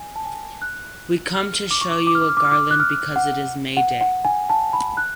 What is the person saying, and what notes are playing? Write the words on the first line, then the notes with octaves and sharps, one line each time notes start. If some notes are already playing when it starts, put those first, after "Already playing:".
We come to show you a garland because it is May Day.
Already playing: G#5
A5
G#5
F#6
F6
D6
C#6
D6
D6
F6
D6
F6
D6
F6
D6
F#6
F6
F#5
F#5
F#5
G#5
A5
B5
F#6